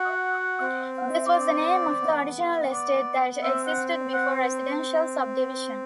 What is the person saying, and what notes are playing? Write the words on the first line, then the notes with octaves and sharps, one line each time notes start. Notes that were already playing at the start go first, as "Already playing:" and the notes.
This was the name of the original estate that existed before residential subdivision.
Already playing: F#4 F#5
C4
D5
B3
D5
C4 E5
F#5
F#5